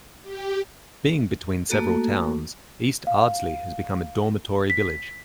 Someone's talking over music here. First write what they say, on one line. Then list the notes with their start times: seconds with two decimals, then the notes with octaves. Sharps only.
Being between several towns, East Ardsley has become a dormitory village.
0.22 G4
1.69 A3 A#3 F#4 A4
3.07 F5
4.70 B6